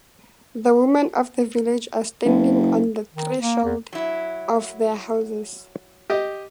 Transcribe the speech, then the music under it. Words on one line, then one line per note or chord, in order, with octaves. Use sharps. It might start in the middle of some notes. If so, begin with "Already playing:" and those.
The women of the village are standing on the thresholds of their houses.
F#1
D#3
A#3
E2
F#3 E4
G4 D#5